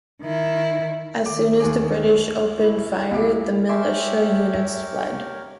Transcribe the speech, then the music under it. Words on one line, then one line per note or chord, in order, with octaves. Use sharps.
As soon as the British opened fire the militia units fled.
D#3 E4
D#3 D6
D#2 G#4 D6
E4
C#2 E4 G4 D6
G4 A#4 C#5 E5 G#5 C6 D6